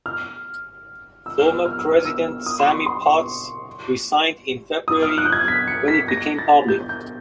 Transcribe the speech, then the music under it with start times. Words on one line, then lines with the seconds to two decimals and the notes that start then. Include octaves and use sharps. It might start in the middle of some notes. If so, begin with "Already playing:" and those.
Former President Sammie Potts resigned in February when it became public.
0.06 F6
1.26 E6
1.39 F6
1.52 E6
1.65 F6
1.79 E6
1.92 F6
2.05 E6
2.46 D#6
2.60 C6
2.67 C#6
2.86 C6
3.06 C#6
4.88 D#6
5.03 F6
5.18 F#6
5.26 G6
5.32 G#6
5.48 B6
5.68 C#7
5.88 B6
6.08 A#6
6.38 A6
6.68 G6
6.89 G6